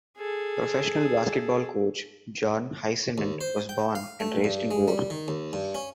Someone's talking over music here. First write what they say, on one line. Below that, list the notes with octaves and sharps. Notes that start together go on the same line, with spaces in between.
Professional basketball coach John Whisenant was born and raised in Gore.
G#4 A4
D#2
C5
G5
F5
A3
G2
G#3
G3
D#3
D#2
G2
C#4